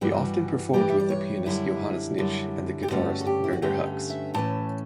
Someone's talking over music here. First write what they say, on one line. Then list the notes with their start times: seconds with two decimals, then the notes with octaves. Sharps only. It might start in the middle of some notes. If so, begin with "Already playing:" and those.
He often performed with the pianist Johannes Nitsch and the guitarist Werner Hucks.
0.01 G2 E3 G3 F#4
0.73 G2 E3 G3 G4
0.90 E5
1.00 D5
1.10 C#5
1.46 F#2 D3 G3 E4
2.18 F#2 D3 G3
2.83 G4
2.90 G2 D3 A3 C#4 F#4
3.21 A4
3.26 G4
3.44 E4
3.53 F#4
3.62 G2 D3 A3 C#4 G4
4.10 E5
4.34 A2 E3 A3 C#4 A5